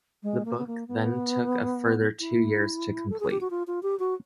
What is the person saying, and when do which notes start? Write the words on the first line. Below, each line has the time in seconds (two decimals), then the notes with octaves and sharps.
The book then took a further two years to complete.
0.23 G#3
0.45 A#3
0.58 B3
0.67 A#3
0.88 B3
2.20 E4
3.10 A4
3.20 G#4
3.30 G4
3.41 F#4
3.50 F4
3.67 F4
3.83 G4
3.99 F#4